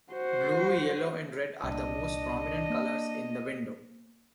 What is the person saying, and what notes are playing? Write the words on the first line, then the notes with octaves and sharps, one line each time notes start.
Blue, yellow and red are the most prominent colours in the window.
F#4 C5
C2 A#2 D4 D#5
A#3